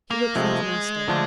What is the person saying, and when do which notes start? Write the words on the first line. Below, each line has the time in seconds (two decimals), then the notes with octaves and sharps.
He looked for his master.
0.11 A#3
0.35 C3 F3 G#3 A3
1.08 D3 F3 A3 D4